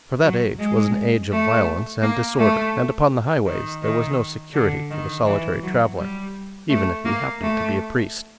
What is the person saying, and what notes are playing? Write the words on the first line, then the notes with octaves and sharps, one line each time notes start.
For that age was an age of violence and disorder; and upon the highways there was no security for the solitary traveler, even if he happened to be a priest.
F#3
G#3
A3
A#3
A3
D#3
D#3
D3
D#3
E3
F#3
G3
A3
A#3
A3